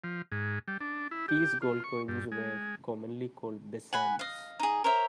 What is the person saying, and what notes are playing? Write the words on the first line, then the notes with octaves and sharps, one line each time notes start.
These gold coins were commonly called bezants.
F3
G#2
G3
D4
E4
G4
F4
C#6
G2
G#3
F#5 G#5 B5
D#5 F5
D#4 G#4
A#4 C5 C#5 E5